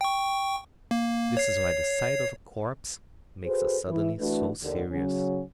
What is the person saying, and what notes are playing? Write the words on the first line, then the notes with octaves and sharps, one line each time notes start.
This is why the sight of a corpse makes us suddenly so serious.
G5 C#6
A#3
C#5 C7
F#4 G#4 A4 B4 C5
E3 E4
E3 A3 D4 F#4 A4 B4
D#2 D3
C#3 F#3 C#4